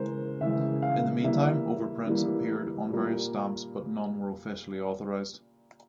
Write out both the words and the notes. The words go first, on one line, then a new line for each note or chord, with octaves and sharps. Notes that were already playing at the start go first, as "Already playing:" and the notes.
In the meantime, overprints appeared on various stamps, but none were officially authorized.
Already playing: C#3 E3 G#3 A#4 C5
C#3 E3 G#3 E5
F5
E3 G3 A#3 E5
E3 G3 A#3
A#2 G3 A#3